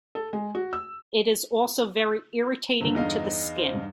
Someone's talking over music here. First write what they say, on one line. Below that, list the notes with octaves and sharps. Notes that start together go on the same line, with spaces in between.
It is also very irritating to the skin.
A4
G#3
F#4
E6
G1 D3
E2 D#4 F5
C5
G2